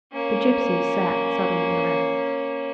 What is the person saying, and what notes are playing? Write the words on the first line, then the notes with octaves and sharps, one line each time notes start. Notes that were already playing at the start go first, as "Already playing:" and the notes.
The gipsy sat suddenly erect.
A#3 C#4